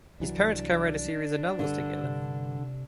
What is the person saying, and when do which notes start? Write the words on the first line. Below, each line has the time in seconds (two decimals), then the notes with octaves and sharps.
His parents cowrote a series of novels together.
0.20 C2 E3 F#3 D4
1.59 G2 D3
2.04 C3